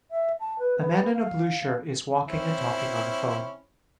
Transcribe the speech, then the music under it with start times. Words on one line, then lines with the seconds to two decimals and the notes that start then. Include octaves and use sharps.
A man in a blue shirt is walking and talking on the phone.
0.10 E5
0.40 A5
0.59 B4
0.78 B3
1.13 F5
2.28 C4 C#4 E4